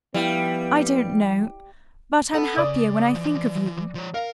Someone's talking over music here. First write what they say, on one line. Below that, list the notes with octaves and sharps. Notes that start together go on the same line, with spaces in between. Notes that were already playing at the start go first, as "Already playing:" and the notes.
"I don't know--but I'm happier when I think of you."
F3 G3 B3 E4 G4 F5 G5
A4 F#5 B5
C#3 D5 D#6
E3 F3
F3 C#5
A#4 F5